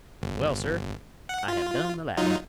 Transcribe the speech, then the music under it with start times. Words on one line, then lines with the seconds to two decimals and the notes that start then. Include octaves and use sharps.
"Well, sir, I have done the Latin."
0.22 G1
1.29 F#5
1.48 F4
2.17 F#3 D#4 F4